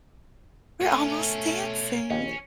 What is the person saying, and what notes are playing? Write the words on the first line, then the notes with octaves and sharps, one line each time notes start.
"We're almost dancing."
B2 A3 F4 C#5 G#5
A#1 D#2 C#4